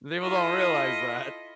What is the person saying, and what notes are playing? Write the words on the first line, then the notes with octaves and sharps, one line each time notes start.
People don't realize that.
E4 F4 A4 D#5